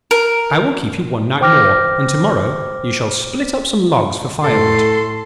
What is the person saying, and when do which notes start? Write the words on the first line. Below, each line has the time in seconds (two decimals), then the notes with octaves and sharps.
I will keep you one night more, and to-morrow you shall split up some logs for firewood.'
0.11 A#4
1.41 C5 G5 D6 F6 A#6
4.44 A2 A4 C6